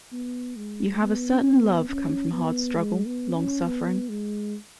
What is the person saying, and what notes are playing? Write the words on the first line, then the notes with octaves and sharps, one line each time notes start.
You have a certain love come from hard struggle, long suffering.
B3
G#3
B3
C#4
B3
C#4
B3
G#3
B3
C#4
B3
G#3